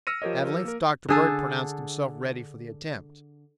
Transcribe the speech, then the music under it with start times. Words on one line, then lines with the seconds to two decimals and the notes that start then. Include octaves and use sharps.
At length Dr. Bird pronounced himself ready for the attempt.
0.07 E6 F6 A#6 C#7 D#7
0.22 F3 G4 A#4 C#5 D#5
0.65 A#3 A#4
1.09 D3 G#4 A4